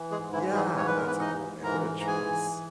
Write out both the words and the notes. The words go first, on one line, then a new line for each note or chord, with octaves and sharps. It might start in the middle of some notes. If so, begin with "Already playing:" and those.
Yeah, that's a oh man, what a choice.
Already playing: E3
G#3 G#4
G#2
E3 E4
E3
G#3 G#4
G#2 C#5
B4
A#4
E3 B3 B4
D#4 D#5
G#2
E3 A#4 A#5
G#2
A#5
G#4 G#5
E3